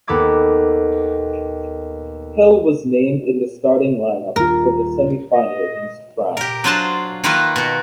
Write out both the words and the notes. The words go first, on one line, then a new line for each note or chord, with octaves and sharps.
Hill was named in the starting line up for the semi-final against France.
D#2 B3 A4 B5 D6 G#6
D#1 F4 A#4
D#5
G4 A#4
F#3 D4 F4 C5 A5
D#3 A#3 F4 B4 E5
B2 F#4